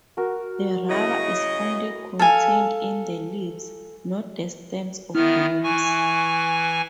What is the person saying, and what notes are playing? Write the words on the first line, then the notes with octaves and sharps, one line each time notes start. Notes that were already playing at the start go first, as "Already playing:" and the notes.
The rubber is only contained in the leaves, not the stems or blooms.
F#4 A#4
C#3 E4 D#5
A4 F5 G#5
D#3 B3 E4 F6
E3 G#5 C#6